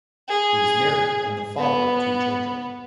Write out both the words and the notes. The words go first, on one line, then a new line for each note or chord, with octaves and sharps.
He was married and the father of two children.
G#4
B3